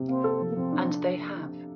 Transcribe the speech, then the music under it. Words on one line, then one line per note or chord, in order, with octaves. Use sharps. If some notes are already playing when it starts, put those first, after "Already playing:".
And they have.
Already playing: C3
A#3 C4
A4
F3
A#3
F3 C4
D4
D4